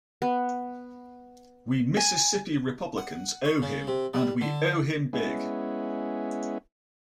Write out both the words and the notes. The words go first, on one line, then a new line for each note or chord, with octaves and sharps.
We Mississippi Republicans owe him, and we owe him big.
B3
G#5
F#5
C#5
C#3
C3
G3
D3
G#3 B3 C#4 E4